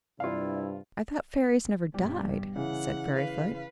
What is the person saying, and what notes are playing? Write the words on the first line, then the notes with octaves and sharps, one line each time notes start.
"I thought fairies never died," said Fairyfoot.
G2 C3 E4 F4 D5 F5
G2 B2 G3
C#3 E3 F#5
B4 F5